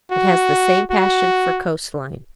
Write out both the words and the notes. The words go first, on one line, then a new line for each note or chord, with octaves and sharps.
It has the same passion for coast-line.
F#4
F#4